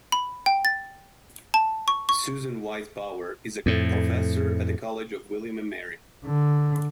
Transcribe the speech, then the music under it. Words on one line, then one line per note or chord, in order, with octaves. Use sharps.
Susan Wise Bauer is a professor at the College of William and Mary.
B5
G5
A6
A5
C#6
C#6
F2 A2
D3